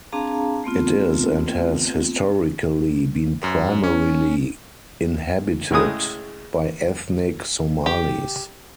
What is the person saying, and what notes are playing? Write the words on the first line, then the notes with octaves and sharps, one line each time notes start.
It is and has historically been primarily inhabited by ethnic Somalis.
C4 D4 G#4 F5 A5 A#5
A3 B3 C4 F4
F#2
C#4
A2 C#3 G#3 D#6
G4